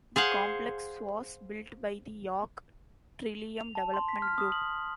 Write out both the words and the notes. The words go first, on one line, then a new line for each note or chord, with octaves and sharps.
The Complex was built by the York Trillium Development Group.
G#4 C5 F5 F#5
F7
A5
C6
B6
F6
D#6
F#7